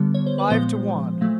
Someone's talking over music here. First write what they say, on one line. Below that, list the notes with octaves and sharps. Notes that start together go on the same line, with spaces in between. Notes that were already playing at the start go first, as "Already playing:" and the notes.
Five to one!
Already playing: D3 G3 B3
C#5
C5
B4
A#2 F3 G#3 B3 C5
A#2 F#3 A3